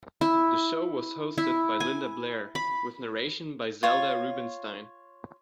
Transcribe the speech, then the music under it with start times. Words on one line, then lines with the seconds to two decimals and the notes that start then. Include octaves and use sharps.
The show was hosted by Linda Blair, with narration by Zelda Rubinstein.
0.21 E4
1.38 E4
1.80 G#5
2.55 B5
3.83 F4 C#5